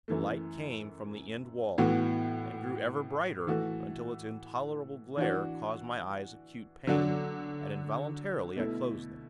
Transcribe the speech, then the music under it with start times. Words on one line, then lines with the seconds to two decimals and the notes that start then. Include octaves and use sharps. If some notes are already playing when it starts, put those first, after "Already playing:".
The light came from the end wall, and grew ever brighter until its intolerable glare caused my eyes acute pain, and involuntarily I closed them.
0.08 F#2 E3 A3
1.78 A2 E3 B3 F#4
3.47 E3 A3 F#4
5.17 E3 D4 F#4
6.87 D3 F#3 D4 F#4
8.56 B2 A3 E4